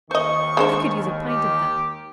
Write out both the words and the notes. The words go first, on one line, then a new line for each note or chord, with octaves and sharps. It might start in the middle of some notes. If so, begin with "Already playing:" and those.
I could use a pint of them!
D#2 D#3 C5 D#5 C#6
G#3 D4 C5
G4